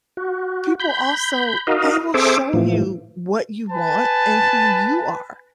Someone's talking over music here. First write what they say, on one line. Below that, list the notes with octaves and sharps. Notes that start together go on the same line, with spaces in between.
people also they will show you what you want and who you are
F#4
B5 G6
D#4 F#4 A#4 D#5 F5
C4 G#4 A4 C5 E5 D6
A2 E3 F3
B4 G#5 A5